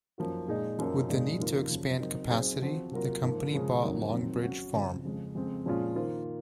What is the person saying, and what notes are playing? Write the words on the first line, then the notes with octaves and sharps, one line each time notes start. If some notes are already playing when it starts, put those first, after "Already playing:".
With the need to expand capacity, the company bought Longbridge farm.
F#2 F3 A#3 D#4 F#4
A#2 G#3 D#4 G#4
F#2 F3 A#3 D#4
A#2 F3 G#3 D#4
F2 C3 D#3 A#3 F4
F#2 C#3 F3
F#3 C4 D#4 A#4
F#3 C4 D#4 G#4 C5
F3 C4 F#4 C5
C3 F#3 A#3 F4 A#4
G#2 F3 A#3
C#3 F3 G#3 C#4
F2 D#3 F#3 A#3
F2 D#3 F#3 C4
F#3 C#4 F#4
C#3 F3 C4
F2 C#3 F3 G#3
F2 C#3 G#3 C4
A#2 F3 G#3 C#4 F4
D#3 A#3 F4 C5